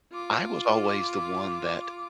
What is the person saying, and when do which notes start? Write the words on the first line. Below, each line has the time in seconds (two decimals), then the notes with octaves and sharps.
I was always the one that
0.12 F4 D6